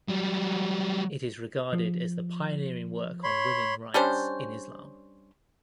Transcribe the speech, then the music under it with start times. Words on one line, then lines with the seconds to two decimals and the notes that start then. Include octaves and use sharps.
It is regarded as the pioneering work on women rights in Islam.
0.08 F#3 G3
1.73 F3
3.24 C#5 B5 C6
3.94 G3 C#4 D4 C5